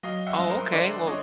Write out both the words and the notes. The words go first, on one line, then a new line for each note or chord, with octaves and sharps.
Oh, okay. Well
F#3 D#5 F5
E5 F#5
G2
A#4 C5
D3 C5 D5
D3 C#5 D#5